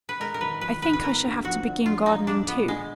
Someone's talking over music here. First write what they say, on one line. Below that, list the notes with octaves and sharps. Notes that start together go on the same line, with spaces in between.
"I think I shall have to begin gardening, too."
B4
G#3 A#4
A#4
G#1 B4
F3 B4
G#2 B4
B4
B3 A#4
D2
F3 F#4
D3
A#1 F4
A#1 D#4
G#3 D4
A#2 B3
D3 G#3